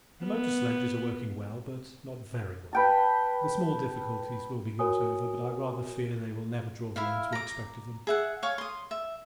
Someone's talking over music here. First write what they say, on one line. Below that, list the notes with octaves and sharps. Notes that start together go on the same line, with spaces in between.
The motor sledges are working well, but not very well; the small difficulties will be got over, but I rather fear they will never draw the loads we expect of them.
B3
B4 G5 A5
F#4 A#4 C#5 G#5 D#6
E4 E5 F5
A#5 D6
G#4 E5 F#5
C#5 F5 G#5 C#6
C6 D#6
E5